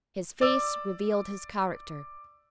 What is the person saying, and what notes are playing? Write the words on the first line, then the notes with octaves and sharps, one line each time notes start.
His face revealed his character.
D5 E6